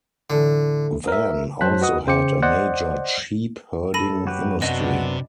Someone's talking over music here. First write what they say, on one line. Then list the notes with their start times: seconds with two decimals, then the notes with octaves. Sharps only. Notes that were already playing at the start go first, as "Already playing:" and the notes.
Van also had a major sheep herding industry.
0.30 E2 A2 D3 A3
1.08 A#4 E5
1.61 F#2 F#3 C5 A5 F#6 B6
1.81 F#4 B4 D#5 F#5 D#6
2.07 C#3 C5 G5 D6 C#7
2.42 C5 D5 D#5 F#5
3.94 F#2 A4 B5 A#6 D#7
4.27 F#4 G4 B4
4.62 C3 B3 D4 F#4 D#5